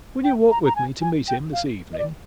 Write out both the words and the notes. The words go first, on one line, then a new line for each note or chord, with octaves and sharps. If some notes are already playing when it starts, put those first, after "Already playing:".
"Will you walk with me to meet him this evening?"
G5
A#5
A#5
G#5
G#5
G5
F5
D#5
D5